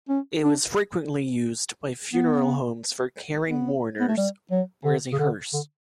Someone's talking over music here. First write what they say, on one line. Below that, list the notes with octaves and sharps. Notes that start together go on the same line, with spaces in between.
It was frequently used by funeral homes for carrying mourners or as a hearse.
C#4
D4
B3
B3
B3
A3
G3
F#3
D3
C#3
D3
D3